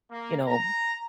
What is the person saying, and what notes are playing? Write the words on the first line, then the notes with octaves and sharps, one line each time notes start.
you know,
A#3
A#5